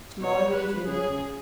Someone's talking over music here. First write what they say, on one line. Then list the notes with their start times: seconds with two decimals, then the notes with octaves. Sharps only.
"To-morrow evening."
0.21 B2 C#5
0.53 B4
0.86 C#3 G#4